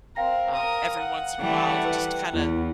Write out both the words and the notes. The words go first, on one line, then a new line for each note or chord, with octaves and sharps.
um, every once in a while just to kinda
C4 A#4 F5 G5 A#6
A#4 D#6
F#5
E3 G3 A3
B4
E2 E4